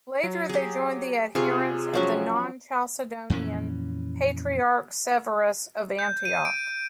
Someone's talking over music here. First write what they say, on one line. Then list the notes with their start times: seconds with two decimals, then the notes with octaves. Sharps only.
Later, they joined the adherents of the non-Chalcedonian Patriarch Severus of Antioch.
0.23 F#3
0.49 G4 G#4
1.35 C3 F4 G#4 C#5
1.94 F3 F#3 C#4
3.30 F2 A#2 E3 C#4
5.99 G6
6.25 D#7
6.45 D7